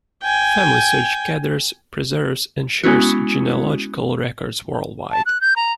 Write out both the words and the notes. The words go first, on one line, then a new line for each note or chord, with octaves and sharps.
FamilySearch gathers, preserves, and shares genealogical records worldwide.
G5 G#5
G#3 B3 C#4 E4 F#4
A5
F#6
G6
A#5